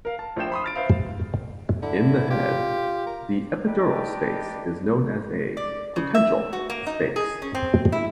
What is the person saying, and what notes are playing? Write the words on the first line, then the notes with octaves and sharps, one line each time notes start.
In the head, the epidural space is known as a potential space.
A#4 F5
A5
A#1 F3 D4 C5 G5 E7
B5 C6 D#6
F6 A6 D7
B4 C5 E5 F5
D3 E4
F4 G4
A#4
D4 D#4 G4 B4 D5 D#5
D5
C#3
E5
F#4
A#3
D#4
G#4
C#4
C4
E4